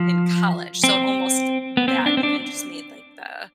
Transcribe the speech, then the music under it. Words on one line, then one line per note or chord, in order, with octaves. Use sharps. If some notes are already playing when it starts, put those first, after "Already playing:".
in college, so almost that even just made like the
Already playing: F3
C4
B3
C4
D4
C4
D4